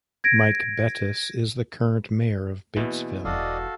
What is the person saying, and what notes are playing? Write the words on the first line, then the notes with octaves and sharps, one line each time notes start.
Mike Bettice is the current mayor of Batesville.
G#6 A#6 D7
E2 B2 E3 A#3
E1 F#4 A4 D5 D#5 F5